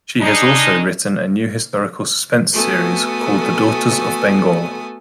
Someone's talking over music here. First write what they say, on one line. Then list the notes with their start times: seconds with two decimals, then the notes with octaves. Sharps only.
She has also written a new historical suspense series called The Daughters of Bengal.
0.21 G#3 D4 D#4
2.53 A3 B3 F#4 A4 G#5 D#6